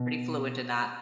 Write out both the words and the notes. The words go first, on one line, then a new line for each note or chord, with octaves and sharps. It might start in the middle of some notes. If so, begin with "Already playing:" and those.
Pretty fluent in that.
Already playing: B2